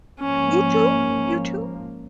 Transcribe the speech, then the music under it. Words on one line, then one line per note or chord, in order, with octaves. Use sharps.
You too? You too?
G#2 F3 A#3 C#4